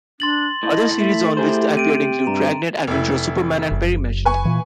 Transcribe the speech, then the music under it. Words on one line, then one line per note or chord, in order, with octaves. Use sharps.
Other series on which he appeared include: "Dragnet", "Adventures of Superman", and "Perry Mason".
D4 C6 A6 F#7
A2 D#5
A3 E5
E4 G4 G#4 C5
C3 D7 D#7
G2 A#5
F1 E4
F#1
B4 G#5 C#6
A#2 E3